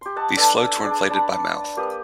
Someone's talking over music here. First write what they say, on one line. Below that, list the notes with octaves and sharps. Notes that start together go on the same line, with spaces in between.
These floats were inflated by mouth.
G4 C6
D#5 F#5 A5
D4 A4 B4 G#5
D4 G#4 D5
D4 A5 B5
A#3 G4 B4 D#6